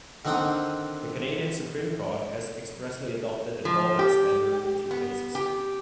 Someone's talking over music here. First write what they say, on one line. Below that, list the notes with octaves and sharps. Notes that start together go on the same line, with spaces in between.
The Canadian Supreme Court has expressly adopted the Daubert standard in two cases.
D3 D#3 C4 F#5 G5
F3
G4
B3
G4